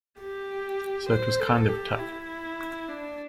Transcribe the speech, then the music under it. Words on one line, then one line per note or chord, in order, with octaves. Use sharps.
So it was kind of tough.
G4
C5
A4
G4
E4
D4